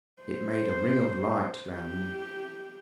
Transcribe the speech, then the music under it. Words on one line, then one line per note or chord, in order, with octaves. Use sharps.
It made a ring of light round them.
C5
G4